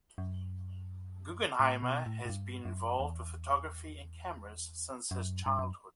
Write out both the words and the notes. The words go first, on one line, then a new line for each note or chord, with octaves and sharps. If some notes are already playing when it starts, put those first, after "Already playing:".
Guggenheimer has been involved with photography and cameras since his childhood.
F#2
A2
B2
A2
A2
G2
F#2
E2
F#2
G2
F#2